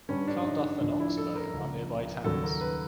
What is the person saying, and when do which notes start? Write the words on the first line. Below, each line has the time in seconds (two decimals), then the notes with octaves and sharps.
Carnduff and Oxbow are nearby towns.
0.09 G2 D3 G3 C#4
0.28 D4
0.45 D#4
0.63 D4
0.81 D2 D3 F3 D4
1.00 E4
1.17 A4
1.36 A#4
1.53 C#2 C#3 F3
2.24 D#2 C#3 F#3 A4
2.43 A#4
2.61 B4